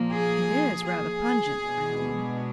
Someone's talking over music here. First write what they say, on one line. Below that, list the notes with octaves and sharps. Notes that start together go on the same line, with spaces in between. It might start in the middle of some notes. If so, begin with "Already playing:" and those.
"It is rather pungent," I owned.
Already playing: A#2 F3 A#3
G#4
G#4
B2 G#3 B3 D4